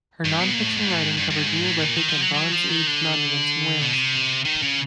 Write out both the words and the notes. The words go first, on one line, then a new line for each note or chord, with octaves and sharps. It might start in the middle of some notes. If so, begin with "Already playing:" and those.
Her non fiction writing covered Neolithic and Bronze Age monuments in Wales.
G2
B2
A#2
A2
G#2
A2
G#2
G2
G2
G#2
A2
A#2
D#3
F3
F#3
F#3
F3
D#3
D3
B2
C3
D#3
C#3